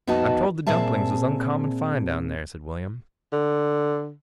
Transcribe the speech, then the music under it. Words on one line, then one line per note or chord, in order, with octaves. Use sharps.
'I'm told the dumplings is uncommon fine down there,' said William.
F2 B3 D#4 F#4 D#5 A5
A#2 C4 G#4 E5 A5
D3